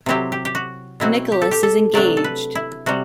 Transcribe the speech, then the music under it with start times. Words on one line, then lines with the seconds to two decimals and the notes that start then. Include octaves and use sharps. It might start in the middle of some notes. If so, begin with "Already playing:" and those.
Nicholas is engaged.
0.06 C3 F#3 C4 E4 G4
0.32 G4
0.45 G4
0.55 F#4
1.00 B2 F#3 C4 E4 F#4
1.32 G4
1.42 A4
1.51 G4
1.63 A4
1.94 C3 F#3 A3 D4 D5
2.17 A4
2.24 B4
2.55 E4
2.86 C3 G3 F#4